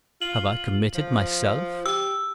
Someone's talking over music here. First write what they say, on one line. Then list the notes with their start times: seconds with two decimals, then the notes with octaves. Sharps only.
Have I committed myself?
0.22 F4 F#7
0.95 F3
1.86 G4 E6